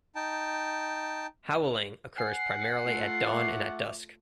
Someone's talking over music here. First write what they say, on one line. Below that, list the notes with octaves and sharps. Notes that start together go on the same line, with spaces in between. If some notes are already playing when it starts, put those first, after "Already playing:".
Howling occurs primarily at dawn and at dusk.
D#4 G5 A5
F#5 G#5 C7
A3 F4
E5 C#6 D6